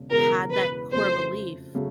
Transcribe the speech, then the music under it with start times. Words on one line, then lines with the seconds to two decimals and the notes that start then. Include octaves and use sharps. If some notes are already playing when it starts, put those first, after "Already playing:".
had that core belief,
Already playing: E1 C#3
0.11 E1 E2 C#3 A#4
0.52 B4
0.92 F2 C#3 F#3 A3 C5
1.75 C#3 F#3 A3